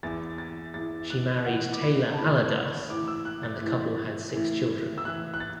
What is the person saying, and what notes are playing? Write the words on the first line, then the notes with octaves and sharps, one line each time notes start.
She married Taylor Allerdice and the couple had six children.
E2 E3 A6
A6
E2 E3 A6
F#6
A2 E3 F#5
D6
B5
A5
A2 E3 B5
A2 E3 D6
E6
F#6
A6
A2 E3
A2 E3
E6
A2 E3 F#6
F#6
A6